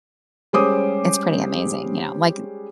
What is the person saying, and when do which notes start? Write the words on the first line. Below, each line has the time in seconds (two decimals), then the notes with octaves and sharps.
It's pretty amazing, you know, like,
0.53 G3 G#3 C#4 C5 D6 D#6